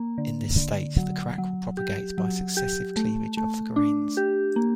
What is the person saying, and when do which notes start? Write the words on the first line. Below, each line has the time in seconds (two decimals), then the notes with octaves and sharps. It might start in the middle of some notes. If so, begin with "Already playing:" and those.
In this state, the crack will propagate by successive cleavage of the grains.
Already playing: A#3
0.18 D3
0.58 D3
0.97 F#3
1.38 F#3
1.77 G4
2.18 F#3
2.57 G4
2.97 A3
3.37 A3
3.76 D4
4.17 G4
4.56 A#3